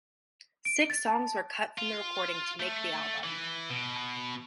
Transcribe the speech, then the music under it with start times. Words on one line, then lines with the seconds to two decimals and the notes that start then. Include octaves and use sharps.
Six songs were cut from the recording to make the album.
0.65 D7
0.90 A6
1.08 A5
1.78 F4
2.60 A3
3.24 E3
3.70 B2